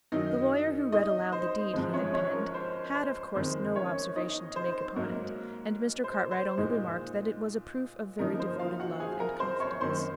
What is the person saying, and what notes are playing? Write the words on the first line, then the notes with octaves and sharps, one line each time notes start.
The lawyer who read aloud the deed he had penned, had of course no observation to make upon it, and Mr. Cartwright only remarked that it was a proof of very devoted love and confidence.
F#2 D#3 F#3 D#4 D#5
D#4 D#5
C5
G#2 F3 G#3 C5
C#4 C#5
C#4 C#5
A#4
C5
C5
F2 D#3 G#3 C4 C5
C#4 C#5
D#4 D#5
C5
G#2 F#3 A#3 A#4
C5
C5
A#2 G#3 D#4
C#3 F3 A#3 D#4 A#4
C5
F4 F5
F#4 F#5
G#4 G#5
A#4 A#5
C5 C6
C#5 C#6
F#2 D#3 A#3 C5 C6